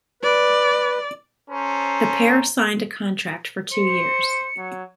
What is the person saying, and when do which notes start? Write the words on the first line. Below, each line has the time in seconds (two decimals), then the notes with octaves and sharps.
The pair signed a contract for two years.
0.23 B4 D5
1.50 C#4 A4 C5 A#5
3.72 C5 C#7
4.58 F#3